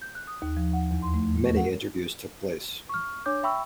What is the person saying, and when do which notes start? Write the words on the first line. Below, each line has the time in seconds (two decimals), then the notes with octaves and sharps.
Many interviews took place.
0.02 G6
0.15 F#6
0.27 D#6
0.42 D#2
0.57 F3
0.73 F#5
0.91 E2
1.02 C6
1.14 A3
1.29 F3
1.44 C#6
1.57 F#5
2.89 C#6 F6
3.26 D4 C#5 D6 G6
3.43 E5 G5 B5 C#6 E6